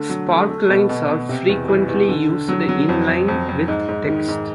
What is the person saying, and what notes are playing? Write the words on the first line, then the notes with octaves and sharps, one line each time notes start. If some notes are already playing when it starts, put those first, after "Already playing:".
Sparklines are frequently used in line with text.
Already playing: D3 A3
F#3
A3
A3
B2
B2
B2
C3
E2
E3
E2
D3
D3
F#3
F#3
F2
F2
F2
F2
G#2
G#2
D#3
G#2